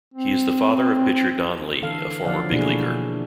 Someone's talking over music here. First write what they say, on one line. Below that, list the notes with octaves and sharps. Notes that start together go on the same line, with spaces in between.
He is the father of pitcher Don Lee, a former big leaguer.
C4
D3 E3 A4 F5
D3 F3 C#5 D5 F5 F#5
B2 A#3 D4 E4 F#4 G#4